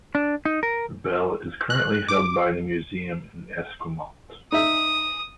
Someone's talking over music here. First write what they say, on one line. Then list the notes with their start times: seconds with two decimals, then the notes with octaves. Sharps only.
The bell is currently held by the museum in Esquimalt.
0.15 D4
0.45 D#4
0.63 A#4
1.70 F#6
2.08 D6
4.52 D#4 E5 D#6